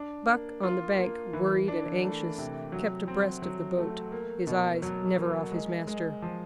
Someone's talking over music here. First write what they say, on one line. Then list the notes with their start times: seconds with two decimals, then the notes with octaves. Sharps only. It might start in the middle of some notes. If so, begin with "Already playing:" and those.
Buck, on the bank, worried and anxious, kept abreast of the boat, his eyes never off his master.
Already playing: D4
0.27 A#3
0.63 F4
0.98 A#3
1.33 E3
1.68 D4
2.03 A3
2.38 C3
2.72 F#3
3.08 C4
3.42 F#3
3.77 A3
4.12 A#3
4.47 B2
4.82 F#3
5.18 A#3
5.52 G#3
5.87 G#3
6.22 F3